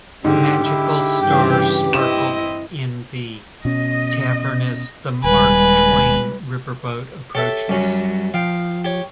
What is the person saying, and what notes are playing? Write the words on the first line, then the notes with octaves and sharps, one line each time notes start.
Magical stars sparkle in the tavern as the "Mark Twain" Riverboat approaches.
G#2 D3 C4 G4
D3 E4
G2 C#3 E3 G5
C4 E4 D#5 E7
B2 C#4 D#5
D#1 G3 G#3 B4 G#5
G4 A4 C#5 E5
F#2 F#3 G3 C#4
F3 F5 G5
G4 C#5